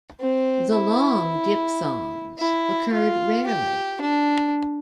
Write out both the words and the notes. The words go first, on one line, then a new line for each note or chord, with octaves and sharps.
The long diphthongs occurred rarely.
C4
E4
E4
F4
G4
D4